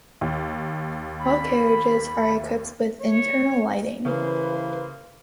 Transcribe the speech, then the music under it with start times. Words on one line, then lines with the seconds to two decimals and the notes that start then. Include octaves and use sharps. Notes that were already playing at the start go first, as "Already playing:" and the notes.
All carriages are equipped with internal lighting.
0.21 D#2
1.19 B5
3.00 C#5
4.05 C#3 E3 G3 A#3 B4 C5